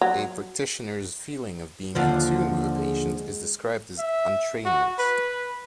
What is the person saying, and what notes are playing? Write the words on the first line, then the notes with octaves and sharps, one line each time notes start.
A practitioner's feeling of being in tune with a patient is described as "entrainment".
F#3
D#2 D3 F3 F4
G#4
G#3
E5
F#4
B4